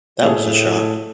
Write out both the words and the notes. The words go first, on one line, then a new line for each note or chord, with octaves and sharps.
That was a shock.
A2 A3 G#4